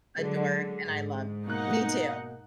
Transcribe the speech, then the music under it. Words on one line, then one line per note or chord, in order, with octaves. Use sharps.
a dork, and I love Me, too.
D3 F#3 G#3
G#2
B2 A#3 D#4 F#5 F#6